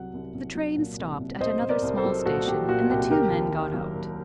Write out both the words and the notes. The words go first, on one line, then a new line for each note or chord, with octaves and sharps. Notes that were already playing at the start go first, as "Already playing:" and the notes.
The train stopped at another small station, and the two men got out.
Already playing: C2 F#3 F#5
C2
C2
F#3
A#2
C2
C2
C2 C5 D#5
C2
A#4 D5
C2
A4 C5
F#3
A#2 F#4 A4
F#3 G4
A#2 F#4
C2 G4
D#3 G4 A#4
D#2
D#3
F#3
D#2